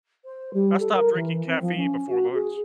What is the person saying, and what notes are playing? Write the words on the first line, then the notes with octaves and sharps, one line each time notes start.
I've stop drinking caffeine before lunch.
C5
G3
A4
A#4
E3
C4
F3
C#4
F#4
G#4